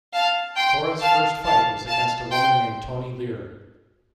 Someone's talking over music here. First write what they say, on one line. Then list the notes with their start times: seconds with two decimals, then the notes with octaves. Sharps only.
Cora's first fight was against a woman named Toni Lear.
0.13 F5 A5
0.57 G5 C6
1.00 F5 A5
1.44 F5 A5
1.88 F5 A5
2.31 G5 C6